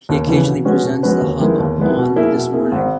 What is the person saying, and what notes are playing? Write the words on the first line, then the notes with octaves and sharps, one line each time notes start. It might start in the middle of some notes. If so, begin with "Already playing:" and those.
He occasionally presents "The Hub" on "This Morning".
D#2
C#3 E3 B3
B2
G#3 C#4 F#4 B4
B2
G#3 C#4 F#4 B4
D#2
D#3 G#3 B3 E4
D#2
D#3 G#3 B3 E4
B2
A#3 E4 G#4
B2
A#3 E4 G#4
G#1